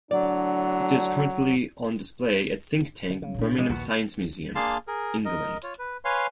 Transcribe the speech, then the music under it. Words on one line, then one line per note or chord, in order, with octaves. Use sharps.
It is currently on display at Thinktank, Birmingham Science Museum, England.
A2 D3 F#3 D4 D5
D3
C#3
A#2 D4
E3 G#3
A#1 D#2 A#2 F3 B3 F#4
A#3 D4 G#4 F5 A5 C6
G#4 A#4
A#4 D#5
F4 C#5
B4
B4 C#5 F5 G#5 C6